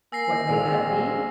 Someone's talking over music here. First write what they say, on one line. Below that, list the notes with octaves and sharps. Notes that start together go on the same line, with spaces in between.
What may that be?
A#3 G#5 E6 A#6 C7
A#1 G#3 C4 F7